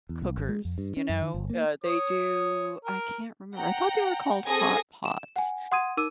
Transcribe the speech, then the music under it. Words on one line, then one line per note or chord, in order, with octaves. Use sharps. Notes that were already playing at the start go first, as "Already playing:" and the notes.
cookers, you know? Uh, they do I can't remember. I thought they were called hot pots.
E2
C2
G#1
G#3
F2
G2
C#4
F#2
D#3
G1
A#3
C#5 D#6
A#4
F#5 G5 A#5
C4 G#4 A4 G#5 D#6 A#6
E7
F#5 G#5
F#5 C6 D#6 G#6 D#7
D#4 A#4 D6 E6 D#7